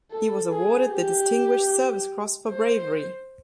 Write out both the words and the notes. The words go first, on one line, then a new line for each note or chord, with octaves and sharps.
He was awarded the Distinguished Service Cross for bravery.
A4
G#4
G4
C5